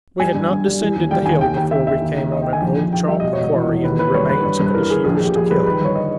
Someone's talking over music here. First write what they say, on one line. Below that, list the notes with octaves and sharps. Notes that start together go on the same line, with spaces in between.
We had not descended the hill before we came on an old chalk quarry and the remains of a disused kiln.
G3 G#5
G2
G2
G3
E3
D#2
G3 G5
D#2 G#5
D#2 G5
D#2 G5
D#2 E5
D#2 E5
D#2
D#2
D#2 D#5
G5
D#3 G#5
A#1 G5
A#1
A#1 G5
G3 E5
B2 D#5
C#5
E1 D#5
E2
E2
D#2 B4
D#2 B4
G3 C#5
G3 B4
G2
G2
B4
E3 A#4
E3 G#4
A#1 G#4
A#1 G#4
G4
A#1 G#4
G3 B4
D#3 B4
G1 C#5
D#5